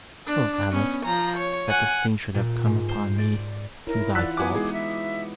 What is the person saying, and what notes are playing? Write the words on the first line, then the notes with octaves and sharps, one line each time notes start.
"Oh, Alice! that this thing should have come upon me through thy fault!"
D4
B3 C#4
F3 A#5
C#5
F#5 G#5
A#2
G#2
C5
D5
D#4 E4 A#4 C#5
E3 F4 D5 F#5 E6 F#6 B6
B3 F#4 G#5 D6
G#3 D#4 E4 G#4
E5